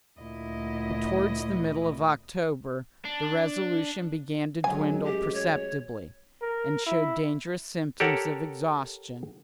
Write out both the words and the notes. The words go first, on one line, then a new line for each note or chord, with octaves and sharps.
But towards the middle of October the resolution began to dwindle perceptibly, and showed dangerous symptoms of exhaustion.
D2 A#2 E4 D#5
D4
A1 F#2 F#3 G#3 G#5
G4
C#5
A#4
E4
G4 A4 A#4 C#5 F#5